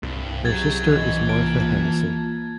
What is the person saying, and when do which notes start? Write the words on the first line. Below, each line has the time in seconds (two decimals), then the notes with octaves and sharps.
Her sister is Martha Hennessy.
0.03 C2 G2
0.45 F#3 C#4 G4 G#4 G#6 A6
0.90 E3 C#4 D#5
1.29 A#3 F4 A5